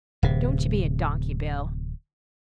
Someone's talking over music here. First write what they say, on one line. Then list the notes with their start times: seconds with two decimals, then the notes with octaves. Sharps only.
Don't you be a donkey, Bill.
0.23 D1 C3